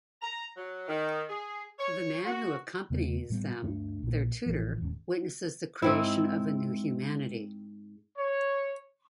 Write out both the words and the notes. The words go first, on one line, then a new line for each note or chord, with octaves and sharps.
The man who accompanies them, their tutor, witnesses the creation of a new humanity.
A#5
F#3
D#3
G#4
C#5
F#4
E2 C#3 A3 B3
A2 G3 B3
D2 G2 A3 D4
A#1 A#2
A1 A2 E3 F3
D1 D#2 G#2 C#4
G#2 C4 E4
C#5